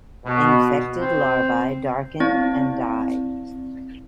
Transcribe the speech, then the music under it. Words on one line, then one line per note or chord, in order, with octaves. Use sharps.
Infected larvae darken and die.
B2
C4
C4 E4 D5